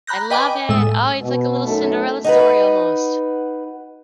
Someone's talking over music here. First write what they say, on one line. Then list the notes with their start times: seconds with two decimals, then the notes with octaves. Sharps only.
I love it. Oh, it's like a little Cinderella story, almost.
0.07 A#5 B5 F#6 G6 A#6
0.30 B4 D#5 G5 G#5 B5 D6
0.69 A2 G#3 E6
1.21 B2
1.65 F#2 A3 D#4 A4
2.24 D#4 F#4 B4